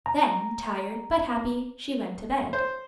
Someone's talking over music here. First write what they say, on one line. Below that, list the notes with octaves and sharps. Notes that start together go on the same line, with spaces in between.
Then, tired, but happy, she went to bed.
A#5
C5